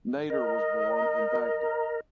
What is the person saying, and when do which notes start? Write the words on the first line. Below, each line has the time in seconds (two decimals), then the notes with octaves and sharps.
Nader was born in Baghdad.
0.30 A#4 D#5